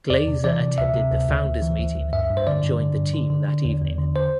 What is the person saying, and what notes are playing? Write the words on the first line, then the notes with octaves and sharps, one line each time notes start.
Glaser attended the founders meeting and joined the team that evening.
E2 D5
C3
E3 D5
C3
D2 E5
C3
D2
D2
D2
E3
D2
D2
G2 E5
G2
C5
D3 D5
G2
D3
G2
D3
D3
D3
E2
E2
D3
C5